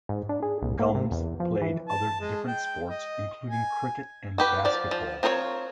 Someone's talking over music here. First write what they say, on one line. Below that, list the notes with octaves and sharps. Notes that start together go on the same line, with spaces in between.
Gumbs played other different sports, including cricket and basketball.
G#2
D4
G#4
C2
A#3
C3
E2
F3
E3
A5
G#3
G5
D#5
G#5
F#4 G4 B4
F3 D5
F3
C4 F4 A#4 C5 C#5